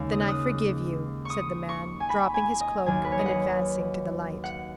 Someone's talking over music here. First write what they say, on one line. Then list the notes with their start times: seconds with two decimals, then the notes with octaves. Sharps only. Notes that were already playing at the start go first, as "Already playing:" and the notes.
"Then I forgive you," said the man, dropping his cloak, and advancing to the light.
Already playing: D#2 C#3 G#3
0.12 D#6
0.20 F#6
0.28 D#6
1.25 C#6 D#6
1.69 C#6
2.00 G#5
2.09 B5
2.34 G#5
2.61 D#5
2.86 D#2 D#3 F#3 G#5
3.04 B4
3.12 C#5
3.19 D#5
3.26 F#5
4.44 F#5